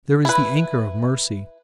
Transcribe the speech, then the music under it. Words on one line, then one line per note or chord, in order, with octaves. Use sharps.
There is the anchor of mercy.
E4 B4